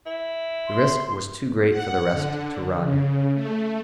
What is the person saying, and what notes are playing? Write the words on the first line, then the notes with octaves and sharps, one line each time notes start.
The risk was too great for the rest to run.
E4
C6
F#5
D3
C#3
A3